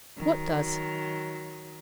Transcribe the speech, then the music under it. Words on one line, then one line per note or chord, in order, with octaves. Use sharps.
"What does?"
D#3 F#3